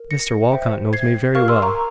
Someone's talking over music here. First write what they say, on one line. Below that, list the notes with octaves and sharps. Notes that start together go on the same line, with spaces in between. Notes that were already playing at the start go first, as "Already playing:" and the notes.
Mr Walcot knows me very well.
Already playing: A#4
A#6 C#7
C5 E5 G5
G#6 C7
G4 A#4 F5 C#6 F6
C6 E6
A#5 C#6